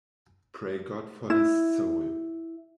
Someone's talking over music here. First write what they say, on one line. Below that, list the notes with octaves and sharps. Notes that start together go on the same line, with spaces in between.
"Pray God for his soul.'".
E4